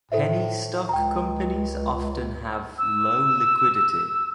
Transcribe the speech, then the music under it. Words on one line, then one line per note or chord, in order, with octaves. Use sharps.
Penny stock companies often have low liquidity.
A2 A4 C5 E5
C#2 G5 A#5
E6